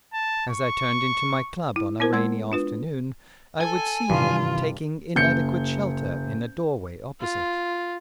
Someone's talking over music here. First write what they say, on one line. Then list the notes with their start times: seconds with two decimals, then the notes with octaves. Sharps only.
As I turned into my club on a rainy afternoon I would see him taking inadequate shelter in a doorway opposite.
0.13 A5
0.51 C#6
1.76 E4
2.00 B3 E4 A#4 C5
2.13 G#3 C6 E6 G#6
2.52 D4 F4 B4
3.60 A4 G#5
4.10 G2 C3 D#3 E3 F4
5.16 F#1 G6 C#7
7.20 F4